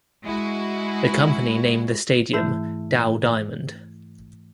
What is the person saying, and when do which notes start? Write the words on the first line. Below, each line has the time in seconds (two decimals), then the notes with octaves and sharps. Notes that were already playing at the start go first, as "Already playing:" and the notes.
The company named the stadium Dow Diamond.
0.24 G#3 E4 F#4
2.33 G#2 E3 A3 E4 E5 G6